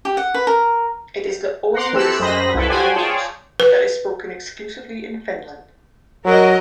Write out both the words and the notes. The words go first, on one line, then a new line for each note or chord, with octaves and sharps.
It is the only Sami language that is spoken exclusively in Finland.
G4
F#5
B4
A#4
F#5 A#5 C6 D6
E3 C4 G4 A4 E6 F#6
F#2 C5 D#5 B5 A#6
C2 E4 A4 B4
F#4 G4 C5 D5 G5 G#5
F4 G#4 C#5 D5 G5 A5
B4
F#3 A#4 D#5